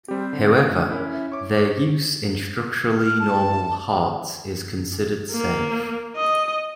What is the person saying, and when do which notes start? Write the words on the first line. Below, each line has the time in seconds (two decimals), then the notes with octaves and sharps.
However, their use in structurally normal hearts is considered safe.
0.08 G3 C4 G4
0.33 D3
0.64 A3 D4
0.90 C#4 E4 A#4
1.13 E5
1.32 C#5 C#6 D6
2.97 F6
3.20 A5
5.32 A#3
6.16 D#5